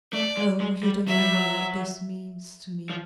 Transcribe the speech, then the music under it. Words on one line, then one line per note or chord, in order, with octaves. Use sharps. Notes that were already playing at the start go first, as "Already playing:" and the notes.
"Oh, you don't know what this means to me."
A3 D5
G#3
G#3
G3
F#3 E5
G3
F#3
F3